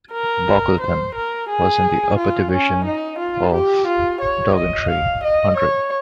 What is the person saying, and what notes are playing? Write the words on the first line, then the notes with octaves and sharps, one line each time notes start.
Bockleton was in the upper division of Doddingtree Hundred.
A#4
C5
A#4
G#4
F4
C#4
D#4
F4
G4
F4
C#5
D#5
F5
D#5
C#5